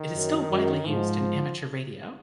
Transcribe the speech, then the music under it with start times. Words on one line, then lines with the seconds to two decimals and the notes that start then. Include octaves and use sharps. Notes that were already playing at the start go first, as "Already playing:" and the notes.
It is still widely used in amateur radio.
Already playing: D#3
0.15 F#2
0.51 F#2
0.87 G#2 F3